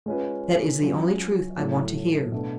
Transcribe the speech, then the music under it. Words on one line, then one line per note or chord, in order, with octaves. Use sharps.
"That is the only truth I want to hear."
G#3 C#4 F4 B4
F#3 C#4 F4
A2 F#3 A3
B2 A3 D4